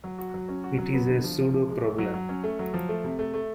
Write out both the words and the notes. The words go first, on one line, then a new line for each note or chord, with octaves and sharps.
It is a pseudo-problem.
F#3
F#4
F#3
C#4
F#4
F#3
B3
D3
F3
F3
F3
G#3
A3
F#3
F#3
C#4
A3
F#3
F3
A3
C3
A3
A3